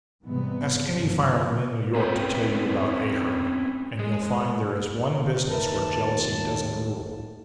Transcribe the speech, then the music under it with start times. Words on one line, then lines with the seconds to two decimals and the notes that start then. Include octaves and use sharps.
Ask any fireman in New York to tell you about Ahearn, and you'll find there is one business where jealousy doesn't rule.
0.24 G#2 C3 E3 G3 B3
0.93 G1 D#2 G#2 C#3 F3
1.95 C4 C#4 E4 B4 G5
3.99 G#3
5.50 D#2 A#4 B4 E5 A5